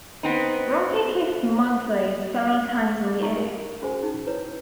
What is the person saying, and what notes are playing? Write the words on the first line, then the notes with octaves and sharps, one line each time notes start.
Rocky kicks Mugsy several times in the air.
B3 C4 D#4
D6
D#4 G4 A#5 C#6
A#4
C#4 F#4 G#4 C5 G#5
C#4 D#4 G#4
E4 B4 C#5